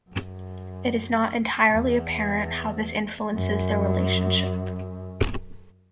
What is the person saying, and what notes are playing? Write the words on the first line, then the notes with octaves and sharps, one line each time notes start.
It is not entirely apparent how this influences their relationship.
F#2
E2
F#2